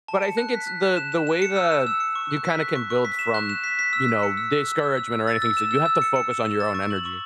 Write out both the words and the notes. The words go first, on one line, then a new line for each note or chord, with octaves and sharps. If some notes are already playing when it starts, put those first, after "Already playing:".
But I think it's the the way that you kinda can build from, you know, discouragement or anything. So you have to focus on your own energy
A5
C#7
F#6
B6
F#6
F#6
E7
E7
E7
C#7
E6
E7
E6
C#7
C#6
F#6
B6
F#6
C#6
C#6
B6
E7
F#6
E7
B6
B6
E6
E6
C#7
E6
E6
E6
E6
E6
E6
A6
E6
E7
E6
E6
C#7
C#7
E7
E7
A6
C#6
F#7
C#6